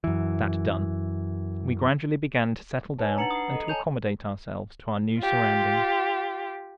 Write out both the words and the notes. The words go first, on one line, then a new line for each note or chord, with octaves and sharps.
That done, we gradually began to settle down and to accommodate ourselves to our new surroundings.
F#2 E3
D#4 B4 C#5 G#5 A5
D4 B4 F#5 A#5 A6 C#7 F#7
B5 D#6 C7
A4 D#5
C#5 G#5 A5 G6 F7
F4 G4